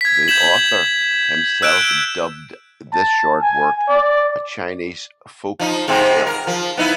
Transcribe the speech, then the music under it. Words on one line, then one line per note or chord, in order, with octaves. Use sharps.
The author himself dubbed this short work "A Chinese Folk Tale".
G#6 B6
G6 G#6 B6 E7 F#7
E6 F#6 G6 D7 E7
A5
G#5
D5
F3 D#4
G#2 C3 C4
A#4
F3
B3 D#4 E4